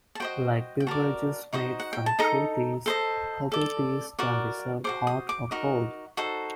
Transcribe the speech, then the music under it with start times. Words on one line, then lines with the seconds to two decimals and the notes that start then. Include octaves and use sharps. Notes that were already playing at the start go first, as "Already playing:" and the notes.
Like beverages made from true teas, herbal teas can be served hot or cold.
0.15 A5
0.20 F#4 C5 D#5 G5
0.80 G5
0.87 F#4 A#4 D5 A5
1.53 D#4 F#4 C5 D#5
1.80 F#5
1.93 G5
2.06 A5
2.19 D#4 A4 D#5 A#5
2.86 A4 C5 D#5
3.52 A4 D5
4.19 F#4 A#4 D5
4.84 F#4 A4 C5 D6
5.07 D#6
5.29 D6
5.51 D#4 F#4 A#4 D#5
6.17 D#4 F#4 A4 C5